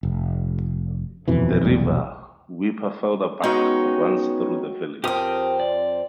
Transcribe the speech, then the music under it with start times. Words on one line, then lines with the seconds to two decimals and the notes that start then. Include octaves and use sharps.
The river "Wipperfelder Bach" runs through the village.
0.03 F1
1.28 D#1 F2 B2 E3
1.64 F1 B1 E2 G3
3.44 G#3 B3 C#4 D#4 F#4 G5
5.04 F2 C4 G4 A#4 D#6
5.60 D5